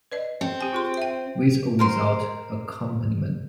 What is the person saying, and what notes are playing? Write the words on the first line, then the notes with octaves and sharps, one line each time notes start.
With or without accompaniment.
B4 D5 D#5
C4
G4 G#5
F4 G#4 C6
E5 G5
A#4 C5 C6